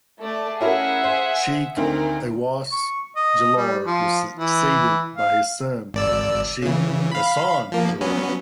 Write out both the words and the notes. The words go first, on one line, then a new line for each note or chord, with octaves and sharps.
Shaikh Awais Jalayir was succeeded by his son Shaikh Hasan Jalayir.
A3 A4 D5
C#4 E4 G#4 A#4 E5 F#5
C5
D2 D#3 C4 A#4
C#6
D#5
G3
F3
E3
F5
G#1 D5 E6
C#3 E3
F5 B5
F3 A#3
F#3 B3 C#4